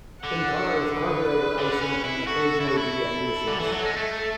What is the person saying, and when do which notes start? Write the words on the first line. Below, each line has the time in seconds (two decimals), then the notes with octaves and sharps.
In cars, carburetor icing can occasionally be a nuisance.
0.23 D3 F#5
0.90 B4
1.58 D3
1.81 C#4
2.04 E4
2.27 F#4 A4
2.60 E4
2.69 F#4
2.78 E4
2.95 A4
3.48 D3
3.60 E3
3.72 F#3
3.85 G#3
3.96 A3